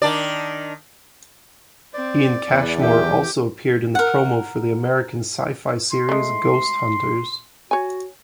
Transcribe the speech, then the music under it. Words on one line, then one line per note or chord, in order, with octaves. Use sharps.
Ian Cashmore also appeared in the promo for the American Syfy series "Ghost Hunters".
D#3 D4 D5
C4 D5
E2 B3
E3 G4 E5
A#4 F#5
C6
G#3 A3
F#4 C#5 G#5